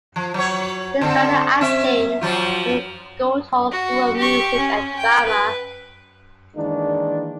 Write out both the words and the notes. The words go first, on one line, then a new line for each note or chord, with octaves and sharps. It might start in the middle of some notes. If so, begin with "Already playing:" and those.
He studied acting at the Guildhall School of Music and Drama.
F3
F#3 C#5
D3 C4 A4
C4 E5
F3 F#3 F4
F#4
G4 C#6
C#4
G5
B4
D#3 E3 G#3 A#3 D4